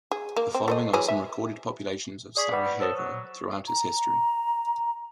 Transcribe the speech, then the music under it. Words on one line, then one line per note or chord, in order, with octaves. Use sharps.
The following are some recorded populations of Sarajevo throughout its history.
G#4
A#3
C4
A3 C5 D#5
E3 F#3 G#4
E5
G#4 D5 C#6 B6
G3 B4 F#5
A4 C5 C#5 D#6
F#3
A#5